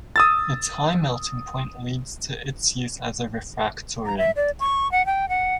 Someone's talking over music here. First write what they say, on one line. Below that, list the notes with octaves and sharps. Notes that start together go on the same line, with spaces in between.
Its high melting point leads to its use as a refractory.
D#6 E6 A6
A#5
E5
D5
C#6
F#5
G5
F#5